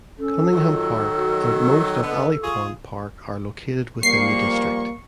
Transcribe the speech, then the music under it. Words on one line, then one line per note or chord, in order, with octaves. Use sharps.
Cunningham Park and most of Alley Pond Park are located within the district.
C#4 A4
D#3 F#3 F4
F#4
D3 B3 D#5
F4 G#4 C#6
F3 G3 A#3 C#6 C7